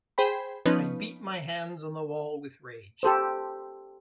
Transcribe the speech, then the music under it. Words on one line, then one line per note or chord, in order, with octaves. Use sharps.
I beat my hands on the wall with rage.
G#4 C5 G5 B5
F3 B3 C#4 D#4 B4
G4 A4 C5